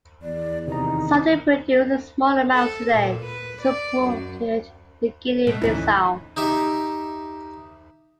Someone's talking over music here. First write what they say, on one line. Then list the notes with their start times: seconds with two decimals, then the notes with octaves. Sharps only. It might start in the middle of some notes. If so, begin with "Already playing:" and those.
Salt is produced in small amounts today, it is exported to Guinea-Bissau.
0.22 E2 D5
0.68 C3 D#3 D#4 A#5
2.54 A4
2.93 A#2
3.25 B4
3.62 D5
4.04 F#2
5.47 B2 A3 B3
5.62 G#1 D2 E3 C#4 D#4 E4
6.37 D#4 G4 E5